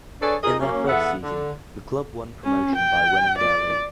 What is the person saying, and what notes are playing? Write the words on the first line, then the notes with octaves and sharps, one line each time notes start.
In their first season the club won promotion by winning their league.
D4 G#4 A4 B4 C#5 D5
D#4 F4 G#4 A#4 D#5
F#3 A#3 C#4
E2 B3 A4 E5 F#5
D3
C#4
G5
D5